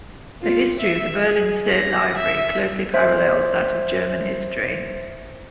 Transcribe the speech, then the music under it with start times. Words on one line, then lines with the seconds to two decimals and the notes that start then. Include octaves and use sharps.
The history of the Berlin State Library closely parallels that of German history.
0.42 F4
0.80 E5
1.21 G#4
1.69 A#6
2.18 E5
2.94 C5 E5